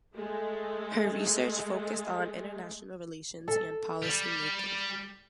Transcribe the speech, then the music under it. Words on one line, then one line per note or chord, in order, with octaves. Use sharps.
Her research focused on international relations and policymaking.
G#3 A3
A4
G3